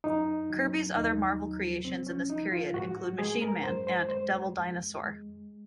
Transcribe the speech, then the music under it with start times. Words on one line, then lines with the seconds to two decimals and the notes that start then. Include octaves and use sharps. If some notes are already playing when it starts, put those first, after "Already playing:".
Kirby's other Marvel creations in this period include "Machine Man" and "Devil Dinosaur".
0.04 F#2 D#4
0.50 F#3
0.95 D#2 D#4
1.40 F#3
1.84 C2 C4
2.07 C#4
2.29 F3 D#4
2.52 F4
2.74 G#2 F#4
2.97 F#4
3.19 G#3 G#4
3.42 A#4
3.64 F#2 C5
3.87 C5
4.09 G#3 C5
4.54 F2
4.99 G#3